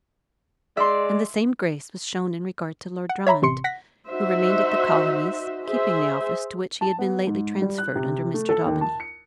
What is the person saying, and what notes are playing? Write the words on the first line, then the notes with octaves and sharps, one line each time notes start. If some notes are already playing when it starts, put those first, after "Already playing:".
And the same grace was shown in regard to Lord Drummond, who remained at the Colonies, keeping the office to which he had been lately transferred under Mr. Daubeny.
G#3 D5 E5 C6
F#5
C#5 E5 A#5 B5
A1 C3 C6 C#7
F#5 A#6 B6
D#4 F#4 C5 E5
G#4 C5 E5
A5
B3
G#2
G3
F#6
C3
A3
A4
D#2
A5
C#7